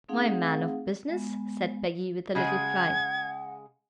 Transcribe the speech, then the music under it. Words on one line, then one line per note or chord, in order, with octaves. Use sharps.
"My man of business," said Peggy, with a little pride.
A3 C4 D#4 G#4 F5 F#5
G#3 B3
C#3 G#3 G#4 F#5 G#6